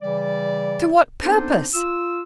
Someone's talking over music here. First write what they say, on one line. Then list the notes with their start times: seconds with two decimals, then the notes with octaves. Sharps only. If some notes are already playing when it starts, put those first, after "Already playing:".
'To what purpose?
0.01 C#3 E3 G3 D5
1.22 B3 C4 D4 D#4 A4 C5
1.74 F4 E6